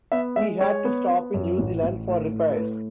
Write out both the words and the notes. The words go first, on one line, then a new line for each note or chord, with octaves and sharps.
He had to stop in New Zealand for repairs.
B3 E5
G#3 E5
G#3 C#5
B3
B3
F#2
A1
A1
A2
A2
A4
A2 B4